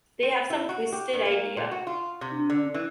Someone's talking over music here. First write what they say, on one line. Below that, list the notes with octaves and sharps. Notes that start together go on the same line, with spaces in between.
They have some twisted idea.
C4
E4
F#4
G4
G2
A#3
A#2
F#4
F4
C3
D3
E3